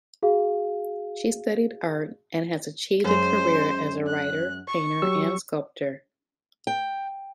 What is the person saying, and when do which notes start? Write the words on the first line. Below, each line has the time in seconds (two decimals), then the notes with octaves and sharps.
She studied art and has achieved a career as a writer, painter and sculptor.
0.23 F#4 G#4 F5
3.04 F#2 G#3 C#4 C5
4.06 F#6
4.68 C#6
5.02 F#3 G4 E6
6.67 G5